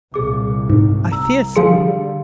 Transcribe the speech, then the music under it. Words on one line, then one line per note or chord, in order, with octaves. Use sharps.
"I fear so."
C2 A#2 G#4 D6
G#2
C2 A#5 E6
D3 F3 G3 G4 G#4 F5 C6 C#7